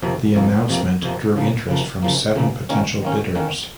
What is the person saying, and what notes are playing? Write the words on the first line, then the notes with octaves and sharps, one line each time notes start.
The announcement drew interest from seven potential bidders.
F2 C3 F3 A#3
F2 C3 F3 A#3
F2 C3 F3 A#3
F2 C3 F3 A#3
C#3 F3 A#3
C#3 F3 A#3
C#3 F3 A#3
C#3 F3 A#3
D#3 A#3 C#4
D#3 A#3 C#4
D#3 A#3 C#4